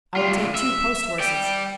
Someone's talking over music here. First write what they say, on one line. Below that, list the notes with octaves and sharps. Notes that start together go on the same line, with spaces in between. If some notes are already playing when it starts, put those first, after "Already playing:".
"I will take two post-horses."
D2 F4
E5
D5 G5